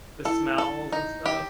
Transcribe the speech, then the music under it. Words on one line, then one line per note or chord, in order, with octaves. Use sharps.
the smells and stuff?
E4 A4
A4
D#4
G4